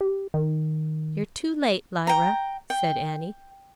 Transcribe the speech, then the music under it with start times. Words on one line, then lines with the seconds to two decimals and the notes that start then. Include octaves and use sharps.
"You're too late, Lyra," said Annie.
0.01 G4
0.34 D#3
2.07 G5 A#5
2.70 G5